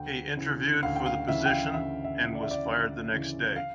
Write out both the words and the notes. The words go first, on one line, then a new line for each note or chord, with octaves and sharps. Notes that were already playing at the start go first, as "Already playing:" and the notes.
He interviewed for the position, and was fired the next day.
Already playing: D2 G5
C#3 E3
D2 F5
G5
F5
C#3 E3 E5
G5
F5
D2 E5
E5
C#3 E3
D5
E5
D5
D2
C#3 E3
F5